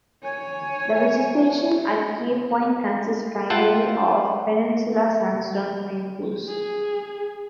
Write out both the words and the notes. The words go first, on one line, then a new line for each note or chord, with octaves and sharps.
The vegetation at Cape Point consists primarily of Peninsula Sandstone Fynbos.
C#5 G#5
F4 E5 F#5 G5 A5
G#4